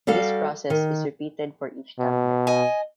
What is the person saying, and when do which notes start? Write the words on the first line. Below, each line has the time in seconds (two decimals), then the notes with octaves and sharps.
This process is repeated for each tablet.
0.07 G3 F#4 A4 F5
0.70 D#3
1.99 B2
2.47 D#5 G#5